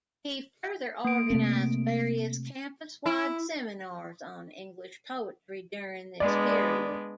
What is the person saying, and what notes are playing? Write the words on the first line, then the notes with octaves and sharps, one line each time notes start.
He further organized various campus-wide seminars on English poetry during this period.
A#3 D7
C3 A3 C4
E4
G#3 B3 D4 D5